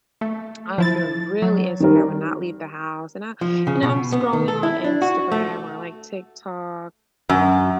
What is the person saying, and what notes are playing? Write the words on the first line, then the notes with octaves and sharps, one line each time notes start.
I would feel really insecure, I would not leave the house, and I you know, I'm scrolling on Instagram or like TikTok,
A3
F3 E4 A6
F#3
D#3 G3 A#4
F3
C#3
B2
B3
D#3
A4
E4
D4
F#4
A3
F#2